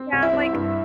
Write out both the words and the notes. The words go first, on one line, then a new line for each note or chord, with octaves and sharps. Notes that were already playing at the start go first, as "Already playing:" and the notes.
Yeah, like,
Already playing: C4
C2
E4 E5
C4
G2